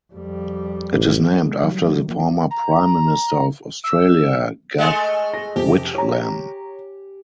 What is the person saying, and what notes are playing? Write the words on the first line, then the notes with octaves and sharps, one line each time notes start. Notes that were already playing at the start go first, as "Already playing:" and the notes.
It is named after the former Prime Minister of Australia, Gough Whitlam.
F2 G3
A1
G#3
F#3 G3
D#3 F#3 G#3
F3 A#3
A#5
E6
G#3 A3
A#6
F2 C3 G4
C#5 A#5